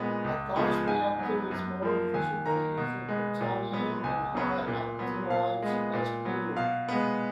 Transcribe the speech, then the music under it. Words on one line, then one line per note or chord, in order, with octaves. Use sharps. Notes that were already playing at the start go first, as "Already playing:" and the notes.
A fast reactor is more efficient for using plutonium and higher actinides as fuel.
Already playing: A#2 G#3 B3
C#2
C#3 F3 G#3 B3
G#2 G#5
F#3 B3
F#2
F3 A#3
D#2 G#5
D#3 A#3 A#5
B2
G#3 B3
A#2
F#3 B3
C#2 G#5
C#3 F#3 B3
A#2
F#3 B3
A#2 F5
G#3 B3
A#2
F#3 B3
B2 F5
G#3 B3